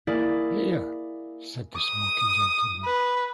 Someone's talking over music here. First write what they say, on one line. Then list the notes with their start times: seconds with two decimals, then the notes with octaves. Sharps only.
'Hear!’ said the smoking gentleman.
0.07 A#3 E4 G#4 D5
1.77 D#6
2.85 B4